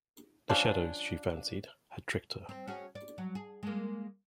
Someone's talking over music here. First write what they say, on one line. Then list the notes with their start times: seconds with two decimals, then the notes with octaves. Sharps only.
The shadows, she fancied, had tricked her.
0.49 F3 G3 C#4 D4
2.49 C4
2.68 C#4 F#4 G#4
2.95 D5
3.18 F#3
3.35 G#4
3.63 G#3 A#3